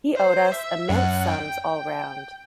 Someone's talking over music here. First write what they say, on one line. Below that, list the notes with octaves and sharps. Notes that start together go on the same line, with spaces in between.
He owed us immense sums all round.
C5
E5
F#2 F#5
G5
G5